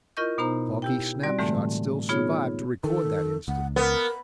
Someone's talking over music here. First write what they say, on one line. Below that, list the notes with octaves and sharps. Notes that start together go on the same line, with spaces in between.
Foggy snapshots still survive to record that incident.
E4 F4 A#4 D#5 C#6 G6
B2 B3 D#4 C5 A#5
E4 G4 G5
G3 C4 F#4 D5
A2 D3 E3 G#3 A3
B3 D#4 F4 G#4 C#5
D#3 A4
C#2 F#5
B3 A#4